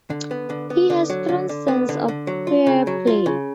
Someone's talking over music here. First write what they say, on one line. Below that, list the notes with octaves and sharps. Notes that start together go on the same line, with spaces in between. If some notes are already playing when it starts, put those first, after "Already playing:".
He has strong sense of fair play.
D3
B3
D3
B3
D3
F#3
D3
D3
B3
D3
D3
F#3
F4
C#3
F#3
F4
C#3